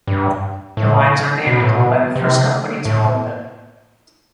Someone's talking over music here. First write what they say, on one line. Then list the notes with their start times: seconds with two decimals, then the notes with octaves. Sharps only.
The lines are named by the first company to build them.
0.07 G2
0.77 A2
1.47 B2
1.60 A2
1.74 B2
2.16 C3
2.85 A2